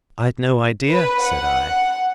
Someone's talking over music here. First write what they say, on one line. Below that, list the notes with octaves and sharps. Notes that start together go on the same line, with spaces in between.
"I'd no idea," said I.
B4
F#5